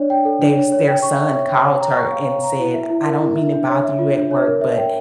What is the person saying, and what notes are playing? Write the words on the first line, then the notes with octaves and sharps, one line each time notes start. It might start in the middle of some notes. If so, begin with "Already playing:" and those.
their s their son called her and said, "I don't mean to bother you at work, but
Already playing: D4 C#5 D5
G5
A4
D4
C#5
C#5
G5
C#6
E5
C#5
G5
C#5
A#5
C#6
F5
C#5
A#5
E4
E5
E4
A#4
E4
E5
D4
C#5
E5
F4
D4
C#5
A#4
E5
G5